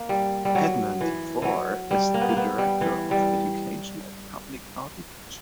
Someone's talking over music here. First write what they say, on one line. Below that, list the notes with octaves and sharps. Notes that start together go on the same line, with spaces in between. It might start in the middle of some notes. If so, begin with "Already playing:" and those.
Edna DeVore is the Director of Education and Public Outreach.
Already playing: A#3
G3
G3
F#3
E3
E3 F#3
G3
A#3
B3
A#3
B3
G3
E3
G3